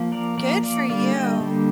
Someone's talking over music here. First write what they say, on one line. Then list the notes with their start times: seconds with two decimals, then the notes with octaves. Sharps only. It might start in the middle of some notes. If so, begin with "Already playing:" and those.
Good for you.
Already playing: F3 A#3
0.12 A#4 D5
0.37 F3 A#3 A#4 D5
0.63 D5 F5
0.89 D3 G3 A#3 D5 F5
1.14 D#5 G5
1.40 D3 G3 A#3